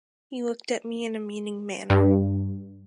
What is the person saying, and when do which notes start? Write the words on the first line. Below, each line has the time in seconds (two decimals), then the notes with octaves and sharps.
He looked at me in a meaning manner.
1.90 G2